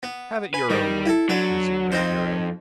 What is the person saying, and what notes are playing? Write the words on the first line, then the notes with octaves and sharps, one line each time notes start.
"Have it your own way," resumed our hero.
B3
B4 G#5
D#3 G3
E4 A4
D3 F#3 B4 A5
F2 C4 D#4 C5